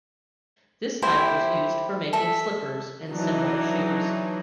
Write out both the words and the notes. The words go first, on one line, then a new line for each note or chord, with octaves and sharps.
This type was used for making slippers and similar shoes.
E4 G4 C5 E5
A4 E5
E3 F#3 D4 D#4